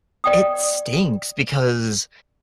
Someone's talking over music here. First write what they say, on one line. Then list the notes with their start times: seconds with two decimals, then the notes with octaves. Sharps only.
It stinks because
0.24 D5 G5 D#6